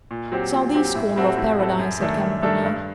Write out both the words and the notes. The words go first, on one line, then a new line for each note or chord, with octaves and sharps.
"Southeast corner of Paradise," said Campany.
A#2
F#3 C4 G4
A#2
F#3 C4 G4
A2
G3 C4 F#4 A4
A2
G3 C4 F#4 A4
F#2
D#3 A3 D4 A4
F#2
D#3 A3 D4 A4
G2